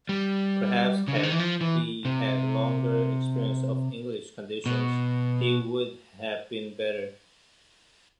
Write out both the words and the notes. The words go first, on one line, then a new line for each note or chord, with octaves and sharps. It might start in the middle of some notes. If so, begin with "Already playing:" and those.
Perhaps had he had longer experience of English conditions he would have been better.
G3
C#3
D3
D#3
E3
F3
E3
C3
B2